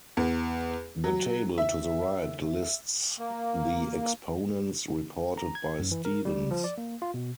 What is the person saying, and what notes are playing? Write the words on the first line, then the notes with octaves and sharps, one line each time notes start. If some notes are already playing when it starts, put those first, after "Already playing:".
The table to the right lists the exponents reported by Stevens.
E2
F#3
E5
A#3
A#5
G#6
F#2
E3
A#4
G3
F3
D5
A#3
F4
B2